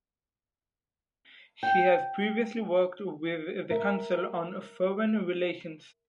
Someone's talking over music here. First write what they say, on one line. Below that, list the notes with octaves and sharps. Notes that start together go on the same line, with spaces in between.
She has previously worked with the Council on Foreign Relations.
G5
A#4 E5